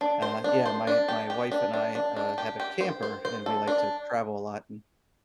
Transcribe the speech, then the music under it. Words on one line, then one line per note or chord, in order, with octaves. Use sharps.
uh, yeah. My my wife and I, uh, have a camper, and we like to travel a lot an
D4
C5
D4
C5
D4
G4
G4
D4
D4
D4
D4
G4
G4
C5
C5
C5
A4
D4